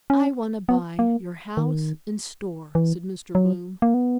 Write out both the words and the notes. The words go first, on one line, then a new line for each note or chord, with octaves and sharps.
"I want to buy your house and store," said Mr. Bloom.
C#4
B3
A#3
D#3
E3
F#3
A#3
B3